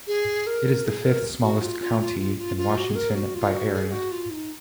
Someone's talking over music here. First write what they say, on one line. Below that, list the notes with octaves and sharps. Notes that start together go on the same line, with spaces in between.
It is the fifth-smallest county in Washington by area.
G#4
A#4
G#4
A#4
F#4
F4
F4
F4
F4
F4
F4
F#4
G#4
A#4
G#4
F#4
F4
F#4
G#4
F#4
F4
D#4